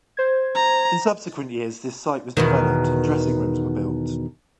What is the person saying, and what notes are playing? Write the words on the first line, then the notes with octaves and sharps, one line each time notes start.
In subsequent years this site was developed and dressing rooms were built.
C5 G#6
A#5
E2 B2 D#3